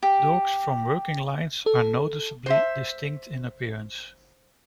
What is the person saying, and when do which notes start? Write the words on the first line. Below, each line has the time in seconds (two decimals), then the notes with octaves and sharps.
Dogs from working lines are noticeably distinct in appearance.
0.03 G4
1.66 A4
2.46 C5 E5